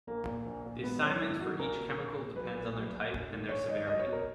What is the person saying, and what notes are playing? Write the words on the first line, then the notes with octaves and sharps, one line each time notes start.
The assignments for each chemical depends on their type and their severity.
A#1 A#3
A#2
A#1
A#2
G#1 B3
F#2 D#3 C#4
G#1 E4
F#2 D#3 F#4
A#1 A#4
A#2
A#1
A#2
B1 B4
A#2
B1
A#2
A#1
G#2 D#3
A#1 C#5
G#2 D#3 D#5
C#2 D#5
C#5
B2
A#4